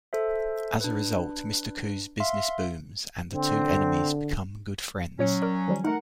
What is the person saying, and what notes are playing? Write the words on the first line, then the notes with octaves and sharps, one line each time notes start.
As a result, Mr. Khoo's business booms, and the two enemies become good friends.
A4 C5 E5
D4 B4
E5 F5 C6
D3 C4
A#2 F#3 C#4 C#5 C#7
A#4 D5
D#3 F3 G3
A3 D#4 A#4 F#5